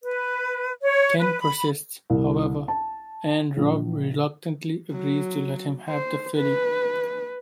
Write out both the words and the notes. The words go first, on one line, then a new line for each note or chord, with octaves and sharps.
Ken persists, however, and Rob reluctantly agrees to let him have the filly.
B4
C#5
B4
B5
C2
A5
A#1
F#3
C5
B4